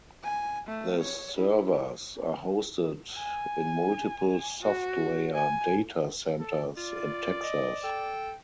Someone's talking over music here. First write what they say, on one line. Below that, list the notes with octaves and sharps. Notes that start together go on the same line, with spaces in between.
The servers are hosted in multiple SoftLayer datacenters in Texas.
G#5
A3
C#5
E4
G#5
F#4
G#5
A4
F4 D5
D#5
A4 G5